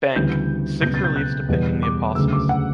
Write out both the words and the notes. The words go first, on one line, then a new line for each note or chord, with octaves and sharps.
Bank; six reliefs depicting the Apostles.
D2 C#3 E3 G3 B3 G6
C#2 B2 F#3 B3 G6
A6
G6
F#6
E2 B2 G3 B3
D6
D2 C#3 F#3 A3 E6
D6
F#5